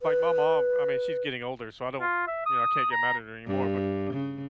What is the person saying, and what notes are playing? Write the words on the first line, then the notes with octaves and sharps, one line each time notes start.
Like my mom, I mean, she's getting older, so I don't, you know, I can't get mad at her anymore, but
B4
F4
E5
D#6
A#5
G2
C#3